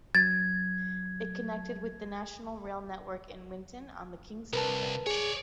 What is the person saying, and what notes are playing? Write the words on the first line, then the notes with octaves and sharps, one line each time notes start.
It connected with the national rail network in Winton on the Kingston Branch.
F#3 G#6 A6
C2 A#4 B4 A5
G#4 C#5 D5